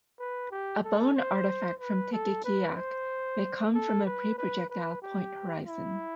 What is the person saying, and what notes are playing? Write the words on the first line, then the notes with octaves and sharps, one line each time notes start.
A bone artifact from Tequixquiac may come from a pre-projectile point horizon.
B4
G4
A4
C5
B4
A4
B4
C5
A4
B4
B4
B4
G4
E4